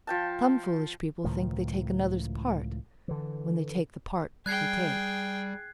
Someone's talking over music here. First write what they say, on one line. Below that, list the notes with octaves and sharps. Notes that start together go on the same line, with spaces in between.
Some foolish people think they take another's part when they take the part he takes.
F3 G5 A5
C#2 A2 D#3 F3
D3 E3
G3 G#4 G5 F#6 G#6 C7